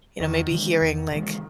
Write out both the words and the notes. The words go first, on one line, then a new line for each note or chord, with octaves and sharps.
you know, maybe hearing like
E2 D#3
C#3 E3 G#3
E2
C#3 E3 G#3